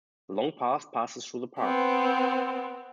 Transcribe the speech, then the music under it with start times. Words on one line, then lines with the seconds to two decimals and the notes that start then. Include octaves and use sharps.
The Long Path passes through the park.
1.59 B3 C4